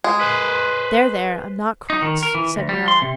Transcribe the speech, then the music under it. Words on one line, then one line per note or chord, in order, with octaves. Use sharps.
"There, there, I'm not cross," said Marilla.
G#3
B4 C5
D#4
D#3
A#4
E3
D2
G3
C6
C3